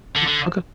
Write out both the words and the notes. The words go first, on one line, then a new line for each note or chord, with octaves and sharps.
Hm. Okay.
D3
D3